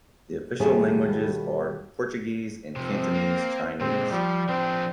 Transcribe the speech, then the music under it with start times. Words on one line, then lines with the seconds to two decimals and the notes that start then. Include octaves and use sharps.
The official languages are Portuguese and Cantonese Chinese.
0.60 D#2 B2 G3 A3 G#4 C#5
2.76 C3 F3 C4
3.14 A#3
3.81 A#2 G#3 C4
4.11 F3 G3
4.49 F3 C4 D4